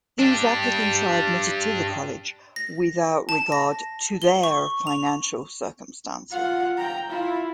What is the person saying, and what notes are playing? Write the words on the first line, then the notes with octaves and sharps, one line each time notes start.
These applicants are admitted to the college without regard to their financial circumstances.
D4 G4
A#6
A5
A#6
G7
C#6
F7
F4 F#5
G5 A#5
E4 F4